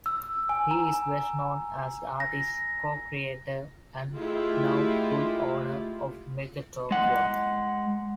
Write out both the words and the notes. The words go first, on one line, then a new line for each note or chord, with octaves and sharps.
He is best known as the artist, co-creator, and now full owner of "Megatokyo".
E6
G#5
A#5
A#6
G#3 A3 E4 F4 G4
G#3 F#5